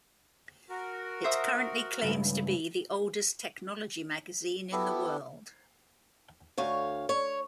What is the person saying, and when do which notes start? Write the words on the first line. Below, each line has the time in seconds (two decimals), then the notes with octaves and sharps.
It currently claims to be the oldest technology magazine in the world.
0.70 F#4 A#4
1.24 C5 E5 D#6
2.02 C#2 G2
4.72 B3 E4 G4 A4
6.58 D2 C#5 F5
7.09 C#5